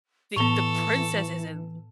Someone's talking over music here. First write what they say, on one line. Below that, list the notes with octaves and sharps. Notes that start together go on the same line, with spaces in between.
the the princess is in
A2 E3 B3 A4 C#6 F7 G7